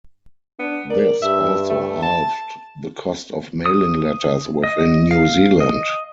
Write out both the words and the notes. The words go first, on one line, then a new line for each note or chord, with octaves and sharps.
This also halved the cost of mailing letters within New Zealand.
B3 D4
A#4 D5
G2 E5
A3
A5
D#6
D#5
F5
D#5